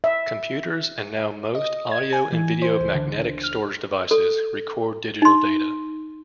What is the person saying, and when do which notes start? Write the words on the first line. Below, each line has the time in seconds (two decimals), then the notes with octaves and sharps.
Computers and now most audio and video magnetic storage devices record digital data.
0.04 E5
1.55 D#5
1.91 G#6
2.13 G#5
2.32 E3
2.62 C5
2.80 C#2
2.95 D3
3.43 F6
4.11 A4
5.22 D#4 C6